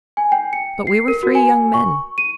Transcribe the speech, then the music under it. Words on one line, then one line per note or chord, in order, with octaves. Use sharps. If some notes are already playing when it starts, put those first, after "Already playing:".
But we were three young men.
G#5
G5
C#7
C7
A#4
F#4
G#5
C#6
D#7